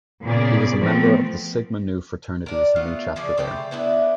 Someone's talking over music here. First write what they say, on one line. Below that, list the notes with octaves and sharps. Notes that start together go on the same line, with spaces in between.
He was a member of the Sigma Nu fraternity's Nu Chapter there.
A#2 C#3 B3 G#4 D5
F3 A3 B3 C4
D4 A#4
A3 B3 F4
C#3 F3 G#4 D5
C#3 A3 G4 C5
B3 D4 E4 B4